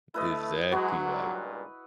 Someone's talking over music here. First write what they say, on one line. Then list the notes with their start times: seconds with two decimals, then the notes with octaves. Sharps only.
Exactly, like
0.14 A3 E4 B4 D#5
0.72 F#3 G#3 F#4 B4
1.04 C#2 G2 A#2